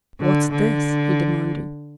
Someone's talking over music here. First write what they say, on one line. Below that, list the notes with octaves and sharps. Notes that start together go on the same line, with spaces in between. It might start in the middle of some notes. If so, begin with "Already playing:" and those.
"What's this?" he demanded.
D3
D3